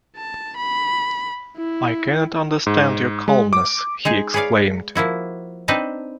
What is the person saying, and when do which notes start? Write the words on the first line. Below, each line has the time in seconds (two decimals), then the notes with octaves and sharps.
"I cannot understand your calmness," he exclaimed.
0.17 A5
0.56 B5
1.57 E4
2.66 G#2
3.28 G#3
3.53 D6
4.05 G#3 D#4 G#4
4.34 G#4 B4 C#5 D5 F5
4.95 F3 A#3 E4 F#4
5.68 C4 D4 D#4 B4 D#5 A5